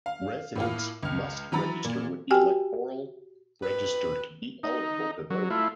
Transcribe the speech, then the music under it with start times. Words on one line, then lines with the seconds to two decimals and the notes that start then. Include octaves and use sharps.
Residents must register with the electoral register to be eligible to vote.
0.06 F5
0.56 A2 A#3 F4
1.03 C#2 F6
1.52 E3 F#3 A#5 B5 A6
1.84 A#2
2.31 F#4 G4 G5 G#5
3.63 F2 B4
4.63 D#4
5.30 F#3
5.50 A3 E4 F4